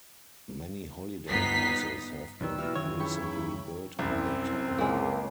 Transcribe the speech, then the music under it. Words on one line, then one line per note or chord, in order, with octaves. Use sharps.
Many holiday houses have been recently built in the town.
G1 B3 D#4 B6 C7
B1 D#3 G3 B4 E6
B2 E3 E4 F6
F#2 D#3 E3 F4 C#5 G#6
C#3 D#4 E4 G5 B5 C#6
C2 F#2 C4 E4
C#2 G#3 A#3